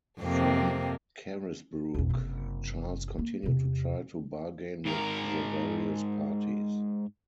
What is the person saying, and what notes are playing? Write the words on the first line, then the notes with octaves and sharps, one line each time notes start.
From Carisbrooke, Charles continued to try to bargain with the various parties.
F2 C3 A#3
B1 E2
F#1 C3
A#3
E2 C3
G#2 A#4